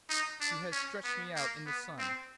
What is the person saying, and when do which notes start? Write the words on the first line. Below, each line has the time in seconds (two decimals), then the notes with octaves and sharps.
He has stretched me out in the sun.
0.10 D#4
0.41 D4
0.72 C#4
1.04 B3
1.36 A#3
1.66 B3
1.98 C4